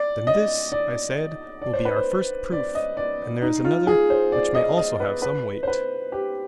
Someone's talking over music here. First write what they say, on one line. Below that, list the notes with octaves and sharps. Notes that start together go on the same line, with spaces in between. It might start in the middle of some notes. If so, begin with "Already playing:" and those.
Then this, I said, will be our first proof; and there is another, which may also have some weight.
Already playing: D5
D#5
D5
D5
C5
B4
C5
D5
D#5
D5
D#4
F4
G#4
C5
D5
D#5
D#5
B4
B4
C5
B4
G4